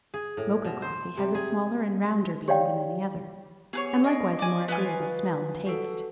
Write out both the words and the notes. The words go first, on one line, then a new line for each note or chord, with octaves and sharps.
Mocha coffee has a smaller and rounder bean than any other, and likewise a more agreeable smell and taste.
G#4
A2
B2
C5
C3
G#4
G4 C#5 D5 F5 G5
B3 G4 G#4 B4 C#5
G#4 D#5 C#6 D7
D5 G#5
B3 F4 B4 G#5
F#4 A4